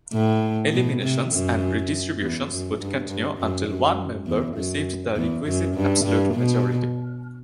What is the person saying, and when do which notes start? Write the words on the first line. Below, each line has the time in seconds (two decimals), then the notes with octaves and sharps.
Eliminations and redistributions would continue until one member received the requisite absolute majority.
0.13 A2
0.73 B2
1.02 C3
1.32 F#2
2.21 E2
2.50 F#2
2.79 G2
3.09 G2
3.38 F#2
3.68 F#2
4.27 E2
4.56 F#2
5.16 E2
5.46 F#2
5.76 G2
6.04 G2
6.34 B2